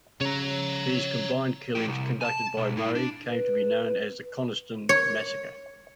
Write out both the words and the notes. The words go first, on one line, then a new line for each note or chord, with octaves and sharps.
These combined killings conducted by Murray came to be known as the Coniston massacre.
C#3 C#5 A#5
A2 G4
C2
G#5 A5
B1
G#2 E4
D4
B4
C#5